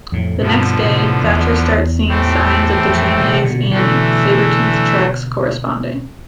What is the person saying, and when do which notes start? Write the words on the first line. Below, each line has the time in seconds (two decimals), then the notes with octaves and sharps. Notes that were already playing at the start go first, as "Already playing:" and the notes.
The next day, Thatcher starts seeing signs of the trainees and sabretooth's tracks corresponding.
0.12 F2 A2
0.40 G2 B2 D3 F3 B3 D4
0.81 A2 C3
1.23 E2
2.06 A2 E3 A3 C4 G4
2.89 F2
3.21 B2
3.32 C3
3.44 B2 D3
3.71 B2 D3 E3 A3 D4